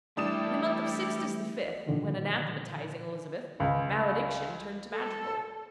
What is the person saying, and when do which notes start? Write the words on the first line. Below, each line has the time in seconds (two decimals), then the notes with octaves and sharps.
In the mouth of Sixtus V., when anathematizing Elizabeth, malediction turned to madrigal.
0.17 E3 G3 A3 D4 E4 D#6 E7
1.86 A#2 D3 D#3 F3
3.60 C#2
4.92 A4